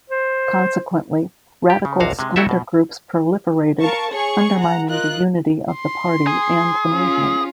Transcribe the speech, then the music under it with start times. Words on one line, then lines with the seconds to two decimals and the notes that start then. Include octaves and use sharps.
Consequently, radical splinter groups proliferated, undermining the unity of the party and the Movement.
0.10 C5
1.70 G4
1.85 C#3
2.00 A#1 D#2 C3 F#4 F5 A#5
2.19 C3 G#3
2.36 F#3 E4 F#4 G4 A4 E5
2.49 B2
3.80 A#4 F5 A5 C#6
4.12 G#4 C#5 C#6
4.58 F#5 A#5
4.89 F4 A#4 D#5 F#6
5.74 C6
6.27 G#4
6.88 C#4 F4